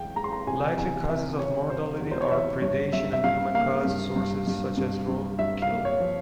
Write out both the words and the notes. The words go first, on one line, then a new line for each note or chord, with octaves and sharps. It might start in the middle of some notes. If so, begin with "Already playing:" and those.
Likely causes of mortality are predation and human-caused sources such as road kill.
Already playing: E2 G#3 G5
G#3 A#5
C6
A#5
C3 G#5
E2 G#5
C3 E5
C3 C#5
C3 C5
E2
C5
C#5
E2 E5
G2 C#5
G2 E5
E5
G2 F5
A#3 F5
G2
G2
G2
G2
G2
G2 E5
F5
A#3
C#5
F3